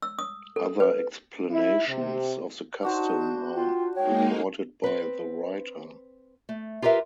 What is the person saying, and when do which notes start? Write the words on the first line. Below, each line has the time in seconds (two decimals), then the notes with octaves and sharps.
Other explanations of the custom are reported by the writer.
0.02 E6
0.19 D#6
0.56 A4
0.80 B4
1.51 E4
1.87 C3
2.83 D4 D#4 F#4 C5
3.55 F4 G5
3.96 G#3 A#3 D#4 C#5 G5
4.84 C4 B4
6.49 A3
6.82 F4 G4 A#4 B4 E5